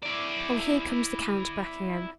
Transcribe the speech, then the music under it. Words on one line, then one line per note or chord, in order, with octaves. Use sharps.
Oh, here comes the count back again.
E4 D5